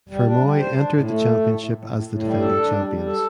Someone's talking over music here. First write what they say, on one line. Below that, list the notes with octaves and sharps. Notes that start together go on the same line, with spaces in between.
Fermoy entered the championship as the defending champions.
G3
D4
G3
C5
D4
A2
A3
A2
A2
A2
A2
A2
A2
G3
A4
D4
G3
G3
A4